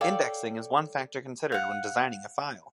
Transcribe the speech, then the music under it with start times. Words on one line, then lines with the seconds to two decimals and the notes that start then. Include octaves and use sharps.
Indexing is one factor considered when designing a file.
0.01 A4 C#5 D5 F5 G5
1.52 F5 F#5